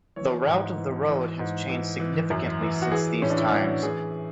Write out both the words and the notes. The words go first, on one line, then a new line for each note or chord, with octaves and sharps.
The route of the road has changed significantly since these times.
E3 C#5
G#2
E3
E3
G#2
E3
E3
F#2
E3
F#4
E3 G#4
A2 C#4
D4
E4
E3
F#4
E3 G#4